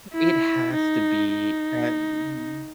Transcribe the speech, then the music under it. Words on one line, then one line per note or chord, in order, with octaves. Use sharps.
It has to be. And
E4
D#4
D#4